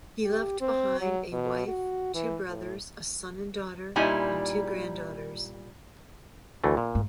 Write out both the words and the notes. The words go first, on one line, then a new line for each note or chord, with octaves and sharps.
He left behind a wife, two brothers, a son and daughter, and two granddaughters.
G4
C4
F#3
B2
F#4
E3
A2
A#2 G3 D#4 E4 G#5
D2 E3 A3
A#2
G#2